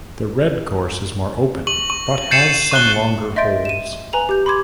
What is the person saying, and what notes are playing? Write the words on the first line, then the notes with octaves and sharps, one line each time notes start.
The red course is more open, but has some longer holes.
C#6 F#7
C#6
G6 A6 C7 C#7 D#7 E7
C#6 F#6 G7
D#5 E5 C6 G6 A6 D7
D#7 E7
B4 G#5 A#5 F7 F#7
G4 G6
B5 C6 D6 G#6